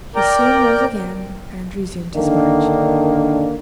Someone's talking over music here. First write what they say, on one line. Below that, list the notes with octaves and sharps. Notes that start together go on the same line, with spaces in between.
He soon rose again and resumed his march.
A#4 D5 G5 A#5
D3 D#3 A#3 D4